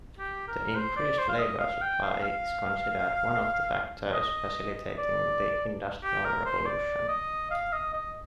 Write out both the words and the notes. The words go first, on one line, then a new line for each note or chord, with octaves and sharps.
The increased labour supply is considered one of the factors facilitating the Industrial Revolution.
G4
A#4
C5
D5
C5
F5
D#5
F5
G5
F5
F5
D#5
D5
G4
A#4
C5
D5
D#5
F5
D#5
D#5